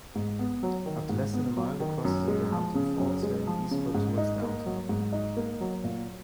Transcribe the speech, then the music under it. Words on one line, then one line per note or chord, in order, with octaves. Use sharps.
After less than a mile, it crosses into Hampton Falls, heading eastward towards downtown.
G#2
B3
F#3
D#3
G#2
B3
F#3
D#3
F#2
G#3
F3
C#3
F#2
G#3
F3
C#3
G#2
D#4
A#3
F#3
G#2
D#4
A#3
F#3
A#2